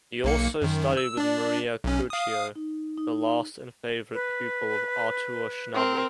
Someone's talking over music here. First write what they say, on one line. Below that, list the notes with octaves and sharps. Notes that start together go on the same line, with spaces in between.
He also studied with Maria Curcio, the last and favourite pupil of Artur Schnabel.
B1 A#3 C#7
F#2 D#3
E6
D4 D5
B1 C#4
F5 D#6
D#4
D#4
B4
C4 A#4